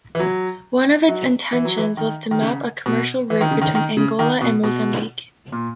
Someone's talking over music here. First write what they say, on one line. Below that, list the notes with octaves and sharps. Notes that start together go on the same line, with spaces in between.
One of its intentions was to map a commercial route between Angola and Mozambique.
E3
F#3
F#3
E3
F#3
E3
D#3
D#3
C#3
B2
E3
D#3
C#3
D#3
D#3
C#3
D#3
B2
B2
A#2